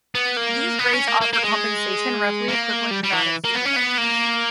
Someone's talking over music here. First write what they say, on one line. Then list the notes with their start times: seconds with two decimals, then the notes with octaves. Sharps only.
These grades offer compensation roughly equivalent to that of supervisors.
0.15 B3
0.37 A#3
0.79 B3
0.93 C#4
1.08 A#3
1.21 A#3
1.33 A#3
1.43 G#3
2.48 A#3
2.91 G3
3.03 G3
3.13 E3
3.44 A#3
3.55 B3
3.65 C#4
3.77 B3
3.98 A#3